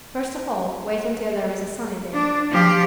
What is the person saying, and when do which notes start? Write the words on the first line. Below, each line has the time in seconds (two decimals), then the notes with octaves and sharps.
First of all wait until there is a sunny day.
2.13 D4
2.51 F3 G4